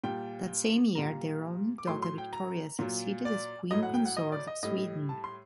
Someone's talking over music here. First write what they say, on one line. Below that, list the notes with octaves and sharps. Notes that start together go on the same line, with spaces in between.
That same year, their only daughter Victoria succeeded as Queen consort of Sweden.
A#2 G3 G5
A#2 G3 A#5
D6
A2 F#3 C6
C6
G5
A#5
A#2 F#3
D5
A2 F#3 D#5
F#5
G5
F#5
D#5
D5
D#5
A2 G3 D#5
A5
C6